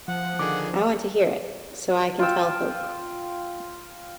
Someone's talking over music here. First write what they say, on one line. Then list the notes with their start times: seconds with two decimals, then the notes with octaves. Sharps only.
I want to hear it, so I can tell Hope.
0.08 F3 F#5
0.39 D3 D#3 G#4 D6
2.19 F4 G5 E6